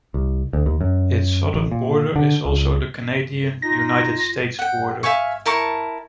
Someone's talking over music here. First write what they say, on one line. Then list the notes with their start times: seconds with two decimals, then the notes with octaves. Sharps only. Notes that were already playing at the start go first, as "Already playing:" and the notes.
Its southern border is also the Canada-United States border.
0.14 C2
0.53 D2
0.66 D#2
0.81 F#2
1.54 A1
1.72 A#2
2.16 D3
2.45 C#2
3.62 D#4 F4 A#6
4.59 F#5 G5
5.03 E5 F5 G#5 C#6
5.46 E4 A#4 A5 C#6